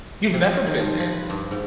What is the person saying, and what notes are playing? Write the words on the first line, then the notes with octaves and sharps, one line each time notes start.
you've never been there,
C3
D#5
D#3
F3
F3
B4
G2
G#2